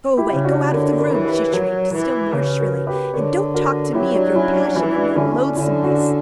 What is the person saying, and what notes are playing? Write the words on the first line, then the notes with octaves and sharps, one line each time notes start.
"Go away, go out of the room!" she shrieked still more shrilly, "and don't talk to me of your passion and your loathsomeness."
E4 G4
C#3
D4 F#4
D3 A#4 C#5
A#4 C#5
E3
G4 B4
F#3 F#4 A#4
E3
C#3 G4 B4
F#4 A#4
G4 B4
D3 A#4 C#5
F#4 A#4
F#3 E4 G4
D4 F#4
C#4 E4
D4
E3 C#4 E4
D4 F#4
D3 C#4 E4
C#4
D4
D3 C#4 E4
D4 F#4